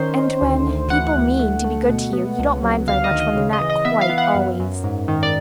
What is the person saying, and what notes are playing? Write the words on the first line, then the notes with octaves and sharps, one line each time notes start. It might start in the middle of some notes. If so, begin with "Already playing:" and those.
And when people mean to be good to you, you don't mind very much when they're not quite--always.
Already playing: D#3 C#4 C5
D#3
D2
D2
E3 F#5
D2
A3
A3
B2
B3
C#2
F#3
D2 F5
D#5
D#3
D#5
C#3
D#5
E3
D#5
B3 E5
F5
B3
F#5
F#2
F#2
G#2
D#3
D5